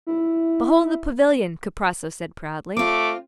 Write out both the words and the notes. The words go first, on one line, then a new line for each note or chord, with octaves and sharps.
'Behold the Pavilion,' Kuprasso said proudly.
E4
A3 C4 F4 D6